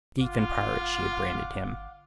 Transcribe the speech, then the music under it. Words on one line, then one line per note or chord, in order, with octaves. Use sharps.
Thief and pirate she had branded him.
G1 F4 F5 F#5 D6